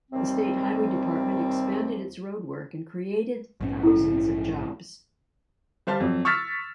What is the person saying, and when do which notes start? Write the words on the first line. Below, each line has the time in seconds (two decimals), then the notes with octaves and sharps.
The State Highway Department expanded its road work and created thousands of jobs.
0.12 D#2 C3 G3 C4
3.61 A#1 G#2 C#4
3.83 E4 A4
5.87 G3 C5 F5 A5
6.00 F2 F#3
6.25 C#6 E6 F6 A6 B6